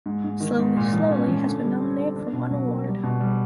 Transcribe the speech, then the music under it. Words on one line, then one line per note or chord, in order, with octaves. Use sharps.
Slowly Slowly has been nominated for one award.
G#2
G#2
D#3
G#2
A#2
F3
C#4
F3
D3
G3
C4
D3
D4
B2
F#3
A#3
G3
B2
G3